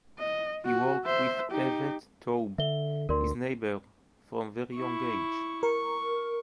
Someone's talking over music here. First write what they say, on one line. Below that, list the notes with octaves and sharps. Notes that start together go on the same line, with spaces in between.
He worked with Evert Taube, his neighbor from a very young age.
D#5
F#4
C5 E5
D#4 G4
D3 E5 G7
D2 A#4 D5 C6
E4 C#6
A#4 C#6